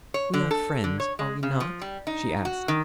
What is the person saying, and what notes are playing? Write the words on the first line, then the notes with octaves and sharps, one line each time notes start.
"We are friends; are we not?" she asked.
C#5
D3
A4
D3
C#5
G#3
C#3
F3
G3
D#4
F#4
D#3